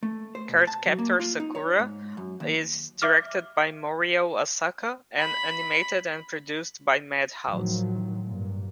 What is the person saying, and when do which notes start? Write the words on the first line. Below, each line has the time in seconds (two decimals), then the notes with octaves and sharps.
"Cardcaptor Sakura" is directed by Morio Asaka and animated and produced by Madhouse.
0.03 A3
0.35 C5
0.49 B2
0.67 A5
0.86 F#3
0.98 A#3
1.20 F4
1.40 D#4
1.55 C#5
1.80 G#2
2.17 F#2
2.40 D#2
3.02 E5 D6 F6
5.19 B5
7.47 A2 D#3 F3 F#3
8.26 G2 A#2